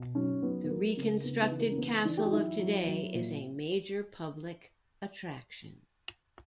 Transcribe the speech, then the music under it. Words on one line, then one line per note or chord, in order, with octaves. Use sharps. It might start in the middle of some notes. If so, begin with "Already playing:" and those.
The reconstructed castle of today is a major public attraction.
Already playing: B2
F#3 C#4
F#3 B3
B3
F#3 A#3
C#3
C#3 B3
B3
E3
A#3
C#4
E3 B3
E3 D4
G4
F#4
F#3 E4
F#3
F#3
A#2